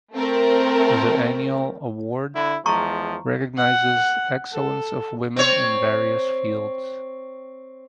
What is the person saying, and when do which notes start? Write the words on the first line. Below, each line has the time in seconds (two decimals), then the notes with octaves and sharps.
The annual award recognizes excellence of women in various fields.
0.14 A3 C4 A#4
2.35 D3 E4
2.66 E2 F3 G#3 A#5 C#6
3.58 F#5
4.52 A4
5.36 C4 C#5